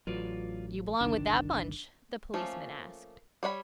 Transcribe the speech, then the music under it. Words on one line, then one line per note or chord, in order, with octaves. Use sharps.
"Do you belong with that bunch?" the policeman asked.
A1 F#3 F4 B4 D5
G1 C2 D#3 D4
F3 A3 A#3 C#4
G3 C#5 F5 B5